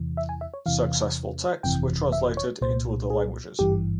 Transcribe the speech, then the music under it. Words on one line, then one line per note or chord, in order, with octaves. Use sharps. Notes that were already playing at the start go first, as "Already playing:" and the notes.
Successful texts were translated into other languages.
Already playing: E2 C3 E3
E5
G#5
E5
C#5
E2 C3 E3 F5
G1 F2 C3 E3 G5
E5
C#5
C2 A#2 C5
G#4
G#1 G2 E3 G4